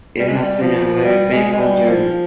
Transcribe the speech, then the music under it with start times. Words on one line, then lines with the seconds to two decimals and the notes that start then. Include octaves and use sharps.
It has been a very painful journey.
0.19 G3
0.28 G#3
0.36 G3
0.62 F3
1.04 G3
1.33 G#3
1.53 G#3
1.61 G3
1.89 F3